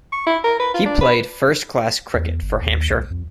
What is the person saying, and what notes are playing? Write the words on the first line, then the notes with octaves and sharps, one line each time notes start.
He played first-class cricket for Hampshire.
C#6
E4
A#4
B4
F4
D4
B4
E2
G1
D#2
C2
F2